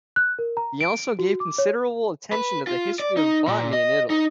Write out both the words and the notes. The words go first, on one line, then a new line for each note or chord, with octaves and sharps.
He also gave considerable attention to the history of botany in Italy.
F#6
A#4
A#5
D7
F#4
D6
C#5
B4
F4
D5
D#4
A#2
D#5
D#4